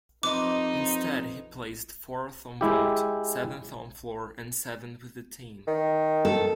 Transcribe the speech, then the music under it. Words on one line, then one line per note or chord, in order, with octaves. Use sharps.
Instead he placed fourth on vault, seventh on floor and seventh with the team.
F2 D#4 B4 C5 D#5 D6
G#3 E4 G4
D#3
A4